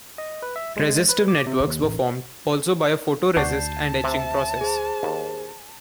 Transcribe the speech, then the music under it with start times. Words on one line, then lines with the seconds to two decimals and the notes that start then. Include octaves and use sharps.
Resistive networks were formed, also by a photo resist and etching process.
0.18 D#5
0.42 B4
0.56 E5
0.76 G#3
1.09 B4
1.28 D6
1.46 C3
1.67 D#2
1.83 A1
3.37 D2 D4 F#4 A5 G6 C7
4.04 C3 E5
4.61 G#4 C5
5.03 D#2